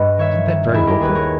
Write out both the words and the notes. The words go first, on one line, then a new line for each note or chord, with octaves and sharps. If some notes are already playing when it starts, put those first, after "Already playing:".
"Isn't that very hopeful?"
Already playing: G2 B4 D#5
D#3 C#5 E5
D#3
D#3 E4 G#4
G4 A#4
D#2 G#4 B4
A#4 C#5